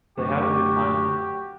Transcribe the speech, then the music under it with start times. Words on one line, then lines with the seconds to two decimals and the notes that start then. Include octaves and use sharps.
They have a good time there.
0.18 F#2 D3 A3 F#4 G4